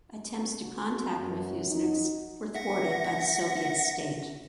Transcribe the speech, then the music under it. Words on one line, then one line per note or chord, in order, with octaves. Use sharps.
Attempts to contact refuseniks were thwarted by the Soviet state.
F#4
F#2
D#4
E5 F#5 A#6